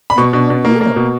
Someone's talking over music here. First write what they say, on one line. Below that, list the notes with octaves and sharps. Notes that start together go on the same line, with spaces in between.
"And who are you?"
B5
B2 C#6
B2
B2
A#3
A#3
B2